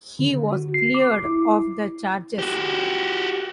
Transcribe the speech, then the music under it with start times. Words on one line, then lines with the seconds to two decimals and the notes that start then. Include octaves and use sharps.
He was cleared of the charges.
0.19 D3
0.52 F#4
0.74 C7
0.94 D6
1.25 E4
2.39 F#4 G4